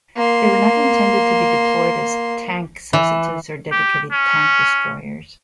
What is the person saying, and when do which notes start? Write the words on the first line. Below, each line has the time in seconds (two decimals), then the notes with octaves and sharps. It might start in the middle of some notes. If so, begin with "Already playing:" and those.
They were not intended to be deployed as tank substitutes or dedicated tank destroyers.
0.16 A#3 C6
2.93 E3
3.72 G4
4.12 C#4